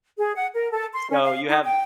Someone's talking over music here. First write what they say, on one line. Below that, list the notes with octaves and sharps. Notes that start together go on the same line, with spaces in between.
so, you have
G#4
F#5
A#4
A4
C6
C#4
F5
D#4
G5